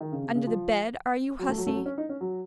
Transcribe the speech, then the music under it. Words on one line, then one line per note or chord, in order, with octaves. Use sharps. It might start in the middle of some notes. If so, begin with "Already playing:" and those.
Under the bed, are you, hussy?
D#3
C#3
C3
C#3
F3
F#3
A3
F#3
A3
F#3
C#4
D#4
C#4
F#3